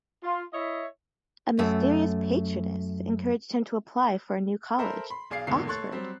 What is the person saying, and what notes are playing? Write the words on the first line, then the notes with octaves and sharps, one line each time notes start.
A mysterious patroness encouraged him to apply for New College, Oxford.
F4
E4 C#5 D#5 E5
F#2 A3
A4 A#4 C5 E5 A#5 B5
B5 C6
B1 G#4 D5 F5 C7
D#1 E2 G#2 B2 D3 C7
A3 C#5 C6 C#6 F#6 A6
F#3 G3 C4